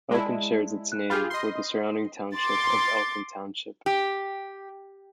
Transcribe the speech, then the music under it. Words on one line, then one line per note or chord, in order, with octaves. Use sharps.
Elkin shares its name with the surrounding township of Elkin Township.
G#3 E4 D5 A5
F#6
F4 G4 G#4 B5 F6 G6
D#5 C6
C6 D6 A6
G4